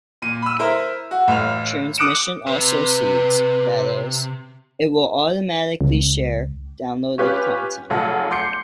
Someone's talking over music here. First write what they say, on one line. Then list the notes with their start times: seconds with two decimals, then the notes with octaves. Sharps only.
Transmission also seeds, that is, it will automatically share downloaded content.
0.22 A#2 D#7
0.42 B5 E6
0.59 E4 A#4 C5 E5
1.11 F#4
1.28 A1 A2 F5 F7
1.98 D6 D#6 F#6 C#7 D7 E7
2.47 C3 B4
5.81 C#2
7.18 C#4 F4 G4 B4 C#5 G#5
7.90 F1 B1 F4 G#4 F#5 A5
8.31 C6 D6 G6 C7 C#7